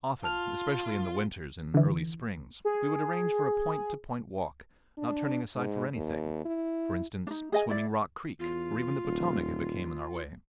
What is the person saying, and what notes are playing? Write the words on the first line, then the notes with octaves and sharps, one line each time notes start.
Often, especially in the winters and early springs, we would arrange for a point to point walk, not turning aside for anything--for instance, swimming Rock Creek or even the Potomac if it came in our way.
F4 A5 F6 F7
D3 E3
G#4
D4
G#2
D#2
E4
D4 D#4
G#4 D#5 G#5
E4 D5
E2 F4
D#1